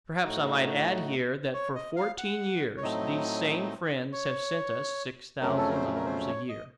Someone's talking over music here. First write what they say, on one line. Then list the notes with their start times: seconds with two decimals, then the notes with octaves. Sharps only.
Perhaps I might add here that for fourteen years these same friends have sent us six thousand dollars a year.
0.24 A2 A3 D#4 F#4
1.54 C#5
1.75 D#5
1.96 F5
2.18 F#5
2.77 C#5
2.83 A2 F#3 A3 C4 D#4 D#5
4.12 C#5
5.41 F2 C#3 F#3 A3 C#4 A#4
5.58 A4
5.70 A#4
5.74 C5
5.96 A#4
6.06 C5
6.28 C#5
6.49 D#5